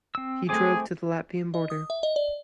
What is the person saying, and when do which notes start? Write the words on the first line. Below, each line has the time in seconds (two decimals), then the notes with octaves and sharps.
He drove to the Latvian border.
0.15 C4 E6
0.49 A3 C4 G#4 G#5 D6
1.54 D#5
1.70 D#6
1.90 E5
2.03 D#5
2.16 D5